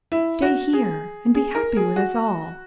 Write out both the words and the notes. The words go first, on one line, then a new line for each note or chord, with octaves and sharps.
Stay here and be happy with us all.
E4
F#4
G#4
G#4
A#4
G#4
F#4